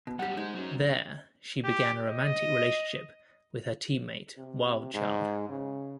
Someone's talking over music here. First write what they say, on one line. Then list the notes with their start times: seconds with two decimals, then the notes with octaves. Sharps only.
There, she began a romantic relationship with her teammate Wildchild.
0.07 B2
0.19 F#2 G3 G4 F#5
0.37 G#3 D#4 C5
0.55 F#3 C#4
1.64 G4
2.09 D#5
4.38 C3
4.94 G#2
5.49 C#3